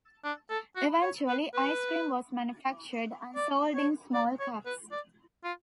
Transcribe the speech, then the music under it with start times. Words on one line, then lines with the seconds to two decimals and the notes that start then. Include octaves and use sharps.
Eventually, ice cream was manufactured and sold in small cups.
0.24 D4
0.50 A4
0.76 F#4
1.02 C#5
1.28 B4
1.54 B4
3.36 D5
3.75 C#5
4.14 D5
4.40 C#5
4.66 B4
4.92 D5
5.44 F4